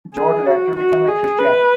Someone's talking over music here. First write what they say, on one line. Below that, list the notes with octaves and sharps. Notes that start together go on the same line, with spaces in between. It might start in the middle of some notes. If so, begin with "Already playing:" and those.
Joad later became a Christian.
G#4
F#4
F#4
G#4
B4